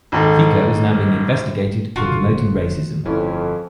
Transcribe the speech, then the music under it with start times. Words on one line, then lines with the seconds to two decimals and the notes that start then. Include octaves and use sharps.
Fico is now being investigated for promoting racism.
0.12 G#1 G#2 A4
1.96 F1 D3 F4 F#4
3.06 G1 F2 E3 A3 C#4